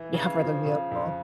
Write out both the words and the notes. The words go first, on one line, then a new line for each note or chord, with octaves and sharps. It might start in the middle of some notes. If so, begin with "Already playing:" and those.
Yeah, for the vehicle.
Already playing: E3
C#3
F3
C#3
F2